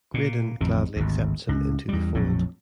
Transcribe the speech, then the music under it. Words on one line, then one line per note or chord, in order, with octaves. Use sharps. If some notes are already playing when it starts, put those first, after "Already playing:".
Graydon gladly accepts him into the fold.
A#2
A1 F2 D#3
G#1 D2
C#2
E2 G3
A#1 F2 A2 F#3